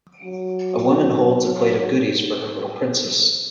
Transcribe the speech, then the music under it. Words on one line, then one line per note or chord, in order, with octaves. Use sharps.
A woman holds a plate of goodies for her little princess.
F#3